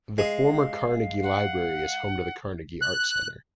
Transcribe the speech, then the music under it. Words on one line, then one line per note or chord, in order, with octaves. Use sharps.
The former Carnegie Library is home to the Carnegie Art Center.
G#3 F5
F#5
F#6